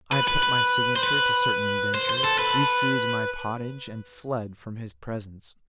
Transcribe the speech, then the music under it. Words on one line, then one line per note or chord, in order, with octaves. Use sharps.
I put my signature to certain indentures, received my pottage, and fled from his presence.
B4
B4
B4
C5
B4
C5
C5
A4
B4